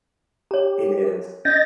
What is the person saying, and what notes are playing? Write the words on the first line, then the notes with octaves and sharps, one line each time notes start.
It is.
G4 C#5 A#5
C#4 D#5 G6 A6 A#6